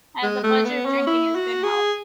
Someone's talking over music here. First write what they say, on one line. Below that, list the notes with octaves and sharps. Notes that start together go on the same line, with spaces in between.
I have the pleasure of drinking his good health.
G#3
A3
B3
C#4
E4
F#4
G#4